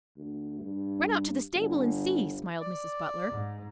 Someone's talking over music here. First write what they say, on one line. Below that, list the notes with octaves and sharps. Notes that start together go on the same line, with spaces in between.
"Run out to the stable and see," smiled Mrs. Butler.
D2
G2
G1
D5
G#2